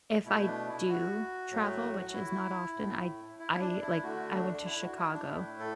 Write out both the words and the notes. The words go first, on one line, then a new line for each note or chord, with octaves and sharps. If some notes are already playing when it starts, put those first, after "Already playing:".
If I do travel, which is not often, I I, like, I went to Chicago,
B2 A3 E4
D4
E4
F#4
A2 F#3 A3
E4
A2 A3
E4
E4
D4
E4
D3 A3 F#4
D4
E4
F#4
E4
D4
A2 A3 E4
A4